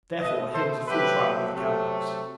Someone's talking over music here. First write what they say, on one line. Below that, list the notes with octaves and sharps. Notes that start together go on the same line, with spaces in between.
Therefore, here was a full trial with the cow-pox.
B2 A3 B4 D#5
A4 C5
C3 F#3 A3 G4 B4
C3 F#3 A3